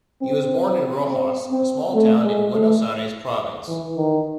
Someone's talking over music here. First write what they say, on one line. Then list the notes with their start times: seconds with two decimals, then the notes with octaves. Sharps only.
He was born in Rojas, a small town in Buenos Aires Province.
0.22 C4
1.09 C4
1.51 C4
1.95 A3
2.24 G#3
2.53 A3
3.68 E3
3.97 D#3